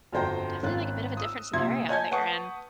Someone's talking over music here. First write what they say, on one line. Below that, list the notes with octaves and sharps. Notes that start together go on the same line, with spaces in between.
definitely, like, a bit of a different scenario that you're in,
G1 F2 F#4 C5 G5 A#5
G#1 C4 C#4 F4 F#6
D#6 E6
A#1 C3 E5 C6 G#6
C#5 D#5 G#5 A5 G6 G#6
B4 F#5 A5 C#6 D#6